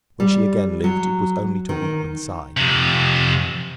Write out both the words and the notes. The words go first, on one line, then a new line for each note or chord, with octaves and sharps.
When she again lived, it was only to weep and sigh.
G3
F#3
D#3
F2 C3